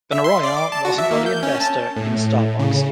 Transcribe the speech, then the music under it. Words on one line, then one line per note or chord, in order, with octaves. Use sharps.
Benaroya was an early investor in Starbucks.
E5
C6
D5
D6
A5
F#4
E5
A#3
G6
C#4
A5
A2
C#3